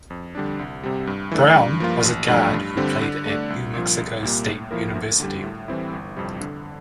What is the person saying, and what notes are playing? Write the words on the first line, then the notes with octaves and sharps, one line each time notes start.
Brown was a guard who played at New Mexico State University.
F2
D3 G3 D4
C2
C3 G3
G2
E3 A3 D4
G2
F3 A#3 F4
A1
G2 F3 A3 D4
G2
D3 G3 C4
D3
A3 D4
C2
A#2 F3
C2
A#2 G3 A#3
A2
F3 A#3 E4 A#4
D2
D3 G3
A2
E3 G3 C4 E4
G1
F2 C3 G3
D3